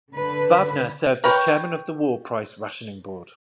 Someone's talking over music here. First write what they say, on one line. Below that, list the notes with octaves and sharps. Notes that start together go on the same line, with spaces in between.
Wagner served as chairman of the War Price Rationing Board.
D3 B4
A#4 B4 C#5 G5